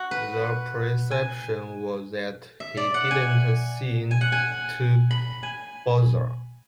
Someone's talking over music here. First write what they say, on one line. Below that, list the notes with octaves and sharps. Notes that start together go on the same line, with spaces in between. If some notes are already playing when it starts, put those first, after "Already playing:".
The perception was that he didn't seem to bother.
Already playing: F#4
B4
G#5
E5
D5
F#5
G#5
G#5
F#5
G#5
B5
G#5